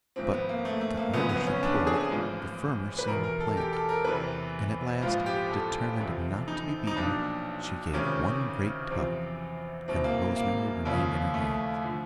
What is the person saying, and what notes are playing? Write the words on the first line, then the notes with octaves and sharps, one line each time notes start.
But the harder she pulled the firmer seemed the plant, and at last, determined not to be beaten, she gave one great tug, and the rosemary remained in her hands.
G#1 G#2 F3 C4
B3
A#3
A3
A3
A#3
G#1 F#2 C#3 F3 B3
B3
C#4
D4
G#4
A1 G#2 F3
B4
E2 B2 A#4
A#4
A4
G4
A4
A#4
E2 C3 E3 B4
A#1 G#2 F3 F4
G4
A4
E2 C3 F3
D#4
D#4
B1 A#2 F3 D4
C#2 C3 D#3 C#4
E2 C3 F3 C4
C2 B2 C4
A#3
A#3
D#2 C#3 F3
A3
D3 F3